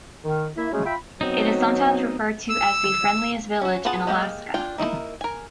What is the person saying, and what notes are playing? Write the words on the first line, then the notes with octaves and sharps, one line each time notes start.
It is sometimes referred to as the friendliest village in Alaska.
D#3
A#3 E4 E5
F#3 G#3 A3 C#4 G#4
F4 E5 G5 B5
F#3 B3 C4 D#4
E6
C#4 F#4
B3 F4 G#4 F#5 A5
G#3 A#3 G4 D#5 F5
D4 F4 G5
A#3 D#4 E4 A#4
A#4 G#5